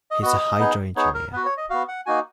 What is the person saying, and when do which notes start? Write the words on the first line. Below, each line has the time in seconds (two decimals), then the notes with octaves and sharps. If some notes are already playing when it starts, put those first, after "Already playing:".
He is a hydro-engineer.
0.11 D#5
0.22 B3 F#4 D#5
0.59 B3 D#4 G#4
0.96 B3 D#4 G#4 C#5
1.14 A#4
1.33 B3 F#4 B4
1.46 C#5
1.57 D#5
1.70 B3 F#4 F5
1.88 F#5
2.06 A#3 D#4 F#4 G#5